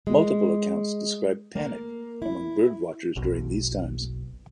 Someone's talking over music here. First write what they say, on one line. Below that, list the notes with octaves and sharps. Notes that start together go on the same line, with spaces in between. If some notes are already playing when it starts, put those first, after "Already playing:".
Multiple accounts describe "panic" among birdwatchers during these times.
G#3
A#3
E4
F#1 B1 B2